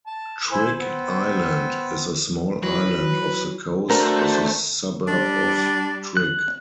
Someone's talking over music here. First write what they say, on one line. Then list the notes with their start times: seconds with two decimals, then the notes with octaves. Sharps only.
Trigg Island is a small island off the coast of the suburb of Trigg.
0.07 A5
0.51 E4 C5 G#5
0.79 B3 C4
2.63 E3 F#3 B4
3.90 A3 D4 F#4 A#4 C5
5.08 G3 D4
6.17 F#6